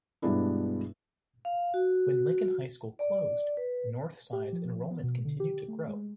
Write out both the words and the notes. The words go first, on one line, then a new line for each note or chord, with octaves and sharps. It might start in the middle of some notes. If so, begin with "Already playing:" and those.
When Lincoln High School closed, Northside's enrollment continued to grow.
G2 B2 G#3 B3 D4 E4
F5
F#4
D5
B4
G4
F3
B3
B2
D3
G4
A3
G#3